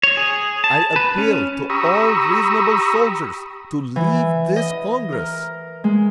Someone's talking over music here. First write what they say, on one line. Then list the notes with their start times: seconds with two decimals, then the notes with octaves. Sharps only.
"I appeal to all reasonable soldiers to leave this Congress!"
0.03 C#5
0.17 G#4
0.64 A5
0.96 B4
1.18 C#4
1.70 G4 A#5 B5 C#6 D#6 E6
3.96 E3
4.56 D#5
5.12 A#4
5.84 G#3